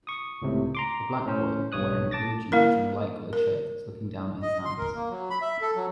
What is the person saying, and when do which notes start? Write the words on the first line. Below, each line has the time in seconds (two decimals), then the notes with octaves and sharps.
A black boy wearing blue jeans and a light colored shirt is looking down at his hands.
0.07 C#6 D#6
0.42 C#2 A2 C3
0.75 A#5 C6 D6
1.26 A2 C#4 C5
1.72 B1 G2 C#5 D#6 F#6
2.11 A5 D6 A6 A#6
2.52 A#3 E4 A#4
3.33 A#4
4.42 D#5
4.65 C6
4.78 A#4
4.95 A#3
5.10 F#3
5.30 B5
5.42 E5
5.61 A4
5.76 F#3